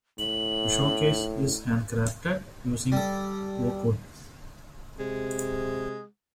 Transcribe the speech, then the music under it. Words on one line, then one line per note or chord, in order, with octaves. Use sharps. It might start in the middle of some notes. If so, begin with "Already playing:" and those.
The showcase is handcrafted using oak wood.
A2 F#7
G3 A4
C3 G#3